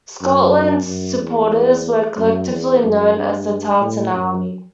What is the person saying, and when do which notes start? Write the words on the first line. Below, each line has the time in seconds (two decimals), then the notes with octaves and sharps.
Scotland supporters are collectively known as the Tartan Army.
0.22 F#2
0.87 F#2
1.20 E2
2.17 F#2
2.50 E2
2.83 F#2
3.15 G2
3.81 A2
4.13 F#2